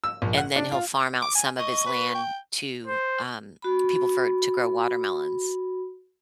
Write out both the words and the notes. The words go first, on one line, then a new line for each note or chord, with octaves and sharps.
and then he'll farm out some of his land to, um, people for to grow watermelons.
E6
A#1
F#5
D4
F4
D6
G#5
D#5 C#6
B4
G5
C5
F#4 B5